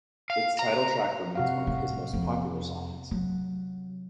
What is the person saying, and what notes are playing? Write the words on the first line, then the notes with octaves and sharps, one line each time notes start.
Its title track remains one of his most popular songs.
F5
A#5
C3 F#4 F5
A2
F2
F#3